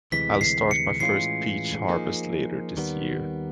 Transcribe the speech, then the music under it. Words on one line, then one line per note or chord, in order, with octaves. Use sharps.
I'll start my first peach harvest later this year.
D2 C3 E3 G#3 B6
C7
C#7
A2 E3 G#3 C#4 F4 C7
F3 A#3 D#4 G#4
D#2 D#3 G3 B3